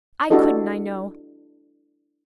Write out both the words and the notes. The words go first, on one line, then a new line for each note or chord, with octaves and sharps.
I couldn't, I know.
D4 E4 F#4 G4 A4 D#5